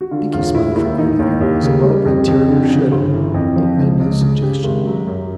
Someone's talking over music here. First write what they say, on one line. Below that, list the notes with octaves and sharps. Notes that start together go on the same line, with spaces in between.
Binkie smiled from ear to ear, as a well-bred terrier should, but made no suggestion.
F#4
D3 F4
E1 F4
E1 E4
D#2 E4
E3 D#4
D#2
D#2 G4
C#3
G3
F2
F2
D3
C#3
G1
E3
F2
F3
C#2
C#2
C#3
C#3 G4
G#1
F#3
F#2